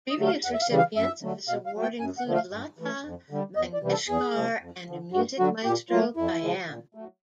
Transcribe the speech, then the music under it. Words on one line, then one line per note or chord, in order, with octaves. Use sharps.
Previous recipients of this award include Lata Mangeshkar and Music Maestro Khayam.
D#5
D3 F#3 A3
F5
E2 F#5
E5
F5
C#3 E3 G3
F5
F#2 E5
D3 F#3 A3
B2 F5
F5
F#3 A3
G5
F#2 G#5
F#5
D3 F3 A3
F5
G2
E3 A3
F2
D3 G3
E2 D#5
D5
C3 E3 G3
A4
E2 G#4
C3 F3 G#3
F2
D3 F3
G2 F#4
D3 F#3 F#4
A#2 G4
F#3 A3 F4
F2 E4
C#3 F3 G#3
A#2
F#3 A3